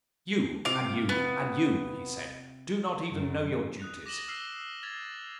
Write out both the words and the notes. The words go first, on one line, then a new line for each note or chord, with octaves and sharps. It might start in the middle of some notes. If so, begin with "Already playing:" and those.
'You, and you, and you,' he said, 'do not even know your duties.
C3 F4 F5 D6
B3
F#2
D#6 F#6 F7
D6 A#6 D#7 E7 F#7 G7
E6 F6 B6 C7 F#7
F6 G#6 A6 B6 F7